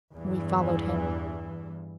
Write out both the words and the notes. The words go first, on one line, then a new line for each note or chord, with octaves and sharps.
We followed him.
E2 G2 E3